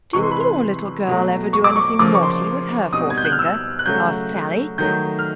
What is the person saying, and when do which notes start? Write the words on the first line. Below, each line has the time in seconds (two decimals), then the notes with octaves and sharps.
"Didn't your little girl ever do anything naughty with her forefinger?" asked Sallie.
0.13 C3 E3 G#3 C#6
0.23 C6
0.31 B5
0.41 C6
1.07 B2 F#3 A3
1.53 C#6
1.64 D6
1.76 C#6
1.99 C#3 F3 A#3 D6
2.15 C#6
2.23 C6
2.93 B2 G3 C4 D#4 D#6
3.10 G#6
3.18 G6
3.24 F#6
3.32 F6
3.39 E6
3.79 F#6
3.86 C#3 F#3 A3 G6
4.78 D#3 F#3 A3 G6
5.19 F6